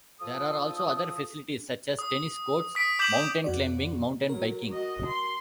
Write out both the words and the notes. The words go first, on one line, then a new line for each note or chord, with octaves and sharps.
There are also other facilities such as tennis courts, mountain climbing, mountain biking.
F3 A4 D#6
D#6
D#6 B6 D7
D6 G6 B6 D7 E7 F#7
F2 F#4 D5
F#3 A#4
F#4 D#5
C6